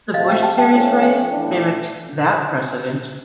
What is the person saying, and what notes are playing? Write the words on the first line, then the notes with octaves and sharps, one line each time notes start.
The Busch Series race mimicked that precedent.
C3 F3 A3 D#5 F5
F5 G5
G5 A5
G5 A5
F3 A3 C#4
F5 G5
E3 A3 D4